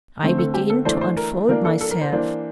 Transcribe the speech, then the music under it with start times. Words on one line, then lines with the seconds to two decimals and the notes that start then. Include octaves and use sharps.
I begin to unfold myself.
0.22 D3 A3 C4
0.38 A4
0.54 G4
0.70 A4
0.85 E3 A3 D4 C5
0.97 D5
1.01 C5
1.17 A#4
1.49 E3 A#3 D4 A#4
1.65 A4
1.81 A4
1.91 A#4
2.01 C5
2.12 E3 A#3 D4 C5